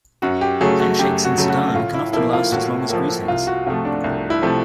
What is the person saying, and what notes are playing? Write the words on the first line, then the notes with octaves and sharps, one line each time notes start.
Handshakes in Sudan can often last as long as greetings.
F#2 F#4
G4
C#3 F#3 A3 G#4
F#4
F#2 G4
F#4
C#3 F#3 A3
F#4
A2 F4
E4
F3 A#3 E4
F4
A2 F#4
F3 A#3
C2 F4
F#4
C3 F3 A3 F4
D4
C2
E4
C3 F3 A3